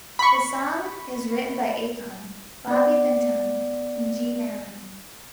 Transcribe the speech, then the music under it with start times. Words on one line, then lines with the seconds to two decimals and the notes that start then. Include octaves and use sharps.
The song is written by Akon, Bobby Vinton, and Gene Allan.
0.19 B5 C#6
2.68 B3 D5